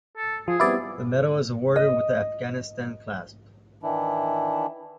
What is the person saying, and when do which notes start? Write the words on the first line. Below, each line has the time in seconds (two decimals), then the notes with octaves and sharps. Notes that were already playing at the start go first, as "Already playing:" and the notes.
The medal is awarded with the "Afghanistan" clasp.
0.17 A4
0.48 F3 G#4
0.60 G3 B3 C4 E4 D5
1.76 D#5
3.83 D#3 E3 D4 E4